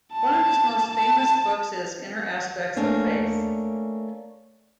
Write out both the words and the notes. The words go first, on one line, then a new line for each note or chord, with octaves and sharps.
One of his most famous books is "Inner Aspects of Faith".
A5
A5
A3 A#3 C#4 D4